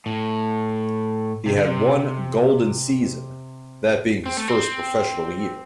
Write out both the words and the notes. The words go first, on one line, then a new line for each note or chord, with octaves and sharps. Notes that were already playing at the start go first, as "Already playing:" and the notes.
He had one "golden" season-that being his first professional year.
A2
C3
D3
C3
C4
A3
C4